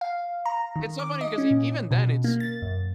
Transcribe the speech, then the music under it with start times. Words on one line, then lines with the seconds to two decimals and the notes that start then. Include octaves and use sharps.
It's so funny because e even then, it's,
0.01 F5
0.45 A#5
0.76 D#3
0.99 D6
1.21 D#5
1.38 C#4
1.50 A#2
1.91 B2
2.24 A#3
2.40 A6
2.62 F#2